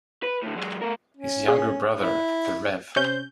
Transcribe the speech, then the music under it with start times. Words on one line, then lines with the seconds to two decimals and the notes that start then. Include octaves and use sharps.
His younger brother, the Rev.
0.23 B4
0.42 A2 D3
0.56 F#3 G#3
0.81 A3 A#4
1.17 C#4
1.48 G#4
1.99 E4
2.96 C3 C#4 C5 G6